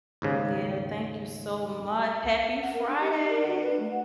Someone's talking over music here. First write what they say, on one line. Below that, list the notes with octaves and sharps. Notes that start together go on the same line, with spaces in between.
Yeah, thank you so much. Happy Friday!
D#2 G#2 C#3
F#5
A#4
D4
G4
D#4
A#4
F#4
B4
A3
F#5